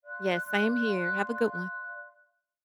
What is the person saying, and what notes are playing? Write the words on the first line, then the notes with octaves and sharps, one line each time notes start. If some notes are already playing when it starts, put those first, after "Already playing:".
Yes, same here. Have a good one.
D5 F5 C6 F#6